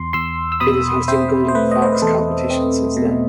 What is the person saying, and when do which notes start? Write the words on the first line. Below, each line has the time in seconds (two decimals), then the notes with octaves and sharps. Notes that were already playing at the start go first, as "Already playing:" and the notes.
It is hosting Golden Fox competition since then.
Already playing: E2 C6
0.13 E2 C6 E6
0.52 E6
0.60 B2 B5 D#6
1.08 C4 C5 E5
1.48 C5
1.55 A3 B4
1.71 D#5
1.82 C5
1.92 B4
2.02 E2 A4
2.50 C4
2.97 B2